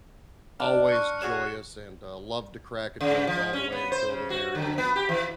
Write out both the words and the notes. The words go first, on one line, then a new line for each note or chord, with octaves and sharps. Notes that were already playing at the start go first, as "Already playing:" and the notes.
always, joyous, and, uh, loved to crack a joke all the way until the very end.
D4 F6
C#6 F#6 C#7
F#4 G#4 C#5 E7
C#3
F3
C#4
B3
C5
C#3
F#4
D3
B3
G4
E3